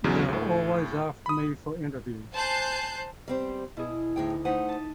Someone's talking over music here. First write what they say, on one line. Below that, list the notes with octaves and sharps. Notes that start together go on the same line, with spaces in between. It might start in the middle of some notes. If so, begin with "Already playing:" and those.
They're always after me for interviews.
B1 E2 C#3 F#3 C#4
D2 A2
B5 D#6
C5 G#5 A5 F#6 G6 C7
G3 C4 C5
B2 E4 G#4
D2 A2 D#4 G#4 G5
A3 D#4 C5 F#5 B6 D#7
A5